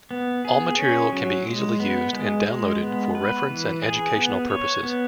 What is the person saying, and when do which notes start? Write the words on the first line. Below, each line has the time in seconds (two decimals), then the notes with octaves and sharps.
All material can be easily used and downloaded for reference and educational purposes.
0.11 B3
0.45 G#4
0.79 C#4
1.12 F#3
1.46 G#3
1.80 B3
2.13 G#3
2.47 G#3
2.81 B3
3.15 B4
3.49 E3
3.82 G#4
4.16 B3
4.50 C#5
4.83 B3